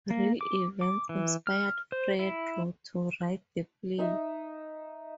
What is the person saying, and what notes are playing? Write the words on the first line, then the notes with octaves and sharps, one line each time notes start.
Real events inspired Fredro to write the play.
A#3
D6
D6
E3
F6
C5
E4
D#4 D#5 E5